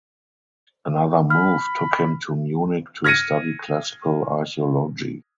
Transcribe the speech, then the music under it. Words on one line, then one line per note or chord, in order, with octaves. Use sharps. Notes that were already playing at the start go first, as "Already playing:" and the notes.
Another move took him to Munich to study classical archaeology.
B5 F6
F6 G#6 A#6 C#7 D#7